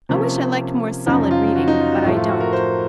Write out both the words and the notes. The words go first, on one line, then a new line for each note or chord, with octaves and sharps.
I wish I liked more solid reading; but I don't.
C3 F3 A#3 C#4
F#2 C#3 F3 D#4
F4
F#4
D#4
F4
F#4
A2 F3 A3 F4
F4
F#4
A#4
C5